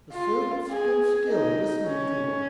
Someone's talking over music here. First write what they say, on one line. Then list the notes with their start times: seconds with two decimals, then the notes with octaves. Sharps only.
The servant stood still listening to them.
0.13 F4
0.71 G#4
1.29 D#4
1.87 C#4